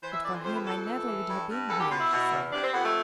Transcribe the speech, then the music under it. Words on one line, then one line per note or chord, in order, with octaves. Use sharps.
"But for him I never would have been here," she said.
E3 C5
E5
F2 D5
B4
C5
F2 C5
B4
F2 A4
A4
E3
E3
G2
G2
E2 A4
G4
B2 F4
E4
B2
E2
C3 D4
C4
F2 B3
A3